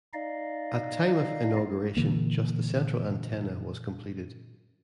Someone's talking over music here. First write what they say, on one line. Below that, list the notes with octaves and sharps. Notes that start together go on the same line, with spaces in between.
At time of inauguration just the central antenna was completed.
D#4 D5 D#5 F5
A#2 D3 E3 A#3